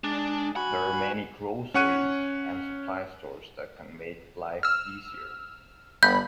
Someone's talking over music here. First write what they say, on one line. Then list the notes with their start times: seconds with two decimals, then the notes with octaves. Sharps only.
There many groceries and supplies stores that can make life easier.
0.04 G#3 D4
0.56 F#4 G#5 B5
1.74 C#4 C#5 F#5 C#6 F#6 D#7
4.63 E6 F6
6.03 G1 B5 G6